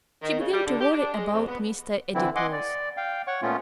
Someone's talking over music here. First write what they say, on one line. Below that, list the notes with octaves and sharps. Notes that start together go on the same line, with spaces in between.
She began to worry about Mr. Adipose.
D#3
C#3
G3
D3
G4
D4
G#3
F2
B3
D3 E3 C4 E4
D#5 F#5 G#5 C6 D6
D5
F5 G5
C#5 F#5 C#6
A#2 A3 B3 C#4 F4